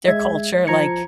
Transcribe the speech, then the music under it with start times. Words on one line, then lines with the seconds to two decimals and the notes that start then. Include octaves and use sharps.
their culture, like
0.08 G#3 E5 G#6
0.67 F3 A#5 G#6 C#7